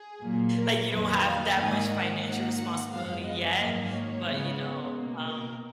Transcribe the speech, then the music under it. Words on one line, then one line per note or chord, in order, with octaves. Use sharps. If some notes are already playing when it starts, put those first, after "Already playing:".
Like, you don't have that much financial responsibility yet, but you know Um,
Already playing: G#4
A#2 F#3 A#3
A#4
F2 D#3 F#3 A#3 B4
F5
G#2 D#3 A#3 G#5
F#5
G#2 D#3 A#3 F#5
F#5
F#2 F3 G#3 B3 F5
D#5
G#2 D#3 F#3 A#3 D#5
C#5
C#3 G#3 B3
B2 A#3
A#4